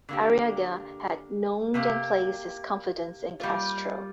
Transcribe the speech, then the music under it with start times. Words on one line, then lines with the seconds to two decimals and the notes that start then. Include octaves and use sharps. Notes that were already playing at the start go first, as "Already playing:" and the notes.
Arriaga had known and placed his confidence in Castro.
0.09 D3 A#3 G4
1.74 C3 A#3 G4
3.40 G3 A#3 F4